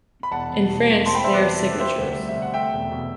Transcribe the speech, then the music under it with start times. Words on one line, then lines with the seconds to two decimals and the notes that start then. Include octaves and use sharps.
In France they are "signatures".
0.23 B5
0.31 E1 F#5 A5
0.50 E1
0.69 B2
0.88 E2
1.06 C4 A5 C6
1.15 G5 B5
1.24 E2 C5 E5
1.34 B4 D5
1.43 G3
1.61 C3
1.80 C4 C5 E5
1.99 D2
2.17 G3
2.29 E5
2.35 C3
2.42 F#5
2.54 A3 E5 G5
2.72 E1
2.91 B2